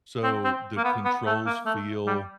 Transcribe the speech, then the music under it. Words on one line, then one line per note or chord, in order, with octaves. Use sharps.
so the controls feel
C4
C4
A#3
B3
B3
A3
A#3
A3
G3